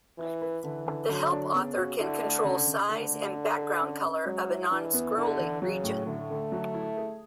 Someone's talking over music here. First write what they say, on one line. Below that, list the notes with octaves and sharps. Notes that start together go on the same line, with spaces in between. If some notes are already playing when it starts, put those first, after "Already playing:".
The Help author can control size and background color of a non-scrolling region.
E3 E4
B4
D3 E3
D3
D3 F#3
D4
C#3 B3
F#4
D3 E4
A3
C#3
C#3
D3 A3
A3
D4
A4
C#4
C#4
F#3 G#3
E4
E3 D4
B3
D3 E4
E3
C#3 F#3
A2
D3 A3
D3
F#3
E4
G#4